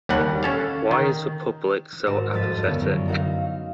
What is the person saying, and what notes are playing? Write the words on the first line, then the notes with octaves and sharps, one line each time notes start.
Why is the public so apathetic?
D#2 G3 F#5
C#4 A4 F5
D#3
G#1 F#4 E7
F1 G2 A6 B6 D#7
C2 G2 D3 B3 C#4
F#2
D#4 F#4 E5 F5